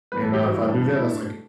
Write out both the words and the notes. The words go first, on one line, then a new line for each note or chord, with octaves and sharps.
and, uh, if I do that, that's, like,
G2 E3 B3 B4
A4
G4
F#4
G2 E3 B3 E4
D4
D4
B2 A3 E4
D4